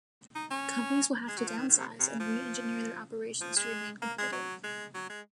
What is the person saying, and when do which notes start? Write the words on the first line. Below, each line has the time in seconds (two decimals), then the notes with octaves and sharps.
Companies will have to downsize and re-engineer their operations to remain competitive.
0.35 D#4
0.51 C#4
1.28 G#3
1.38 F#3
1.48 F3
1.57 D#3
1.69 D#3
1.78 C3
1.99 C3
2.08 C#3
2.20 F3
3.41 F3
3.57 G#3
4.02 A#3
4.18 G#3
4.32 F#3
4.64 G#3
4.94 F#3
5.10 G#3